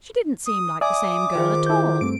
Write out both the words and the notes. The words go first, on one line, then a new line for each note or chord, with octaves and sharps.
She didn't seem like the same girl at all.
D#6
D5 E5 G#5 D6 D#6
D#3 F4 G#4 C5
E4 G6
G2 A3 C4 D7